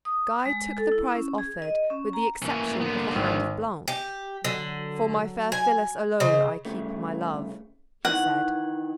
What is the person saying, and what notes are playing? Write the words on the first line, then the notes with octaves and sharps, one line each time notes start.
Guy took the prize offered with the exception of the hand of Blanche. "For my fair Phyllis alone I keep my love," he said.
D#6
G#3
A4
E4
C#4
G#4
D#5
C#4
A#5
E3 A#3 C#4
D3 B3
G#1
G4
D3 F#3
G#5
C#3 C5 D#5
C2 C#3 A3
D#3 E3 F#5